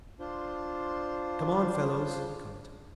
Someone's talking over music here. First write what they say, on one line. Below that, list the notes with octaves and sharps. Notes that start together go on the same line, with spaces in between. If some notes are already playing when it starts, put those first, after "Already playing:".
"Come on, fellows!" he called.
D4 F4 C5